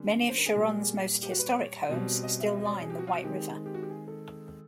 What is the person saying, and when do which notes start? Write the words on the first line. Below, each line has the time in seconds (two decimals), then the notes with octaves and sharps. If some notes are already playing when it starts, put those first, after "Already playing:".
Many of Sharon's most historic homes still line the White River.
Already playing: D3 G3 A#3 C#4
0.29 C5
0.38 A#4
0.46 G#4
0.56 A#2 G3 A#3
1.23 G4
1.31 F#4
1.39 B4
1.47 C#5
1.89 B2 G3 C4
2.23 D#5
2.40 E5
2.57 D#5
2.65 D5
2.73 C#5
2.82 G#4
2.90 G4
2.99 F#4
3.07 F4
3.15 F#4
3.24 D#3 G#3 C4 G4
3.66 G4
3.74 F#4
3.83 G4
3.90 G#4
4.08 A4